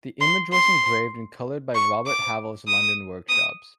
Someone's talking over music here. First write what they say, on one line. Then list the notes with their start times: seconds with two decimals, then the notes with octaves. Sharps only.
The image was engraved and colored by Robert Havell's, London workshops.
0.21 C6
0.53 C6
1.75 C#6
2.07 D6
2.68 D#6
3.29 D#6